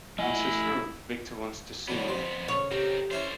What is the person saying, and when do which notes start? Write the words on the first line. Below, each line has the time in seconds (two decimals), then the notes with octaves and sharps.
Mrs. Ruth Victor wants to see you.
0.19 A3 E4 D#5 F#5 G#5
1.88 F2 A2 D3 F#3 B3
2.08 C5
2.48 C#3 C#5
2.71 C4 D#4 G4
3.11 D3 C#4 E4 C5 E5